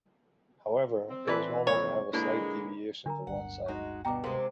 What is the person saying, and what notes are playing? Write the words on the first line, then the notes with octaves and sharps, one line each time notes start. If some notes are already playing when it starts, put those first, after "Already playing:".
However, it is normal to have a slight deviation to one side.
C4
E3 A4 B4 D5 A#5
C2 F2 A#3 C#5
A#2 D3 G#3 A#3 D4 E4 B4
D3 D4 A#4 A#5
D1 G1 F#5
G#3 D#4 F#4
G2 B2 G5 A#5 D6
C3 G#3 A#4 F5